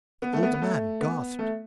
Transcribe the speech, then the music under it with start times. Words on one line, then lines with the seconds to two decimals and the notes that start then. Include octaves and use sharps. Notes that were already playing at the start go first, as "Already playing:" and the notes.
The old man gasped.
0.22 B3
0.33 A3
0.43 B3
0.54 B3
0.62 A3
1.01 B3
1.39 A3